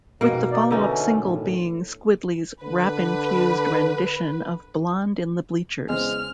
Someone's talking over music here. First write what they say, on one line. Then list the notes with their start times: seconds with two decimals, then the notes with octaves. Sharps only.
With the follow-up single being Squiddly's rap-infused rendition of 'Blonde In The Bleachers'.
0.21 F2 G#2 B2 A#3
0.52 D#4 D5
0.71 B2 D3 E3 C#4 D#4
1.18 A2
2.63 D3 B4
5.89 E2 C#3 G#3 C4 F6